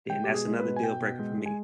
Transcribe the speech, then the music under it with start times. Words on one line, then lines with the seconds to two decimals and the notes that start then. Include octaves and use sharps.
then that's another deal breaker for me.
0.10 G#3 G5
0.24 B2 G4
0.34 G#4
0.47 G#3
0.59 B4
0.65 B2
0.76 G#5
0.83 B2 G5
1.01 B2
1.19 G#3
1.38 G#3
1.46 G#5